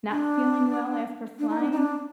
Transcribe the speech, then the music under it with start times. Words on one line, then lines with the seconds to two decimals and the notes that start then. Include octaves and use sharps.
not feeling well after flying,
0.10 D4
1.39 D4
1.49 D#4
1.59 D4
1.72 D#4
1.77 D4